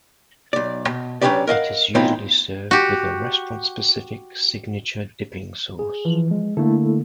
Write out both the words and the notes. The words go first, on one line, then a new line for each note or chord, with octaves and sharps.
It is usually served with a restaurant-specific signature dipping sauce.
B1 D5
B2
F#3 C#4 D4 G4 B4 D5
A#4 D#5 F5 F#5
A2 E3 B3 C4 D#4 F4
F#4 G4
G#4
E3 F3
G#3
D3 A3 A#3 E4 A4